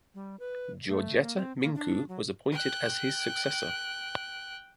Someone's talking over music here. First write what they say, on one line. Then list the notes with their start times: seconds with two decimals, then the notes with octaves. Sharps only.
Georgeta Mincu was appointed as his successor.
0.15 G3
0.40 B4
0.88 A3
1.21 A#3
1.37 C4
1.61 A#3
1.75 D4
2.09 F#3
2.52 G5 F#6